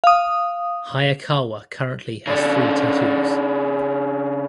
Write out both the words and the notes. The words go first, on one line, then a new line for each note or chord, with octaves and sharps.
Hayakawa currently has three tattoos.
F5 D#6
C#3 D4